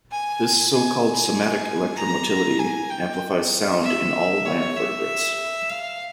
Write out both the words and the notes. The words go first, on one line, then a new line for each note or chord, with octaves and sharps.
This so-called somatic electromotility amplifies sound in all land vertebrates.
G#5
G#5
G#5
A#5
G#5
G5
E5
C#5
E5
F5